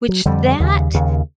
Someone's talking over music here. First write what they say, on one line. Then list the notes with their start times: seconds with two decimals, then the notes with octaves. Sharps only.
which that
0.08 F#3
0.26 F2 D3 G3
0.60 D#2 C#3
0.94 D#2 C#3